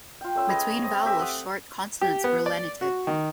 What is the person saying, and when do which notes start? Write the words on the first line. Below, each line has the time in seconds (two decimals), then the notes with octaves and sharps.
Between vowels short consonants were lenited.
0.21 F4 G5
0.35 A3 C#4 E5 C6
0.48 G#4 B4 C#5 D#5
0.84 C4 D#5
1.03 A3 C4 G4 E5
1.19 F#5 D#6
2.01 G4
2.24 B3
2.46 D5
2.81 F#4
3.07 D#3